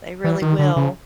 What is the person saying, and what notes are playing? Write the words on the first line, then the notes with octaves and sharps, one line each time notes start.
They really will.
E3
D#3
D3
C#3